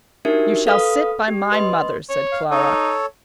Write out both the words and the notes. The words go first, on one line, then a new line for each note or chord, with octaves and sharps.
"You shall sit by my mother," said Clara.
D4 D#4 F#4 G4 A#4 E5
A4 B4 F5 D#6
G4
B4 D#5 C6
C#5
F5
D#4 A4 C#5